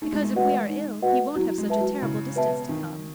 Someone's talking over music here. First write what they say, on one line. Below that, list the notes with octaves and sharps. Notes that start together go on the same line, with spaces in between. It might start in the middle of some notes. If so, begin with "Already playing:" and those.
"Because if we are ill, he won't have such a terrible distance to come."
A3 D#4
G#3
A3
G#3 F#4 B4 D#5 F#5
D#4
F#4 B4 D#5 F#5
F#3 E4
G#3
B4 E5 A5
F#3
C#3 E4
B2 B4 E5 A5
D#3 D#4